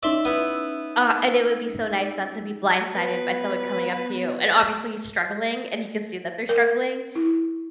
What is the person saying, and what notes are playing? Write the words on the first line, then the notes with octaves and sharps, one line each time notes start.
Aw, and it would be so nice not to be blindsided by someone coming up to you, and obviously, he's struggling, and you can see that they're struggling,
C#4 D#4 D5 E5 C6 E6
B3 E4
B3 B4
A#4
E4